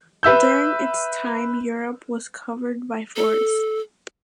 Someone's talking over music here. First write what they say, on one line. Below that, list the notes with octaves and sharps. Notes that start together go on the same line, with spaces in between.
During its time Europe was covered by forests.
B4 E5 E6 G6
A4